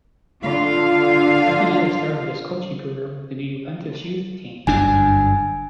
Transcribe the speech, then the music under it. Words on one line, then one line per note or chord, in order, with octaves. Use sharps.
Ravanelli started his coaching career with the Juventus youth team.
D3 F4 F5
G1 F#2 D4 G#5